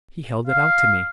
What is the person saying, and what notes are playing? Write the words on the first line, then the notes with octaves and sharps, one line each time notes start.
He held it out to me.
F5